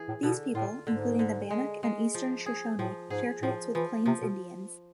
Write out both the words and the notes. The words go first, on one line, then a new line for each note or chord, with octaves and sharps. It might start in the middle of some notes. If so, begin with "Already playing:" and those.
These people, including the Bannock and Eastern Shoshone share traits with Plains Indians.
Already playing: E3 G#4
A2
B2 D3
A2 F4
G#2 D3
D3
G#3
G#3
F3
G#4
A2 F3
G#2 G#4
A2 F3
E3 F3
C3 F3
B2